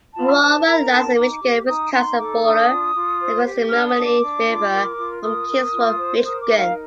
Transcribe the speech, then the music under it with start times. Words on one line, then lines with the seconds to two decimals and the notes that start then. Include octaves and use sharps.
Aurora lies on the Michigan-Wisconsin border, across the Menominee River from Kingsford, Michigan.
0.14 F4 A5
0.41 C5 A5
0.66 A#4 A#5
0.91 D#4 A5
1.16 D#4 D6
1.42 G4
1.67 D#4 D#6
1.92 D#4 C6
2.18 A4 D6
2.43 D4 D#6
2.69 F4
2.95 F4
3.20 C5
3.45 G4
3.70 D4 F6
3.87 D#6
3.96 D4
4.04 D6
4.21 D4
4.46 F4
4.72 A#4
4.98 F4
5.23 A#4 D#6
5.47 A#4
5.73 F4
5.98 C5
6.24 A#4 D#6
6.41 D6
6.50 D#4
6.57 F5